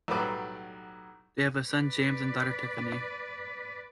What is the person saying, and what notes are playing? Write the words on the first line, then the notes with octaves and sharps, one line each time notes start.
They have a son James and daughter Tiffany.
B1 A2 F#3 G3 B4 D6
B4 D5